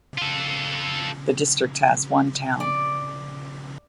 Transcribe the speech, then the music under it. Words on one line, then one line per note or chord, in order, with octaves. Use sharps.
The district has one town.
F4 A4
D5